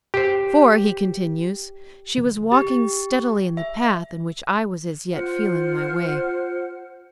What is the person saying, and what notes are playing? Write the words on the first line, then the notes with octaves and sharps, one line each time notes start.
"For," he continues, "she was walking steadily in the path in which I was as yet feeling my way."
G4 C5
G4
E5
F4 C5 F#5 F6